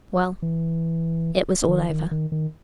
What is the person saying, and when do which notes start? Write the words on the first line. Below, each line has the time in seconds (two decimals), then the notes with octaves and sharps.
Well; it was all over....
0.42 E3
1.69 D#3
1.90 D#3
2.11 D#3
2.32 D#3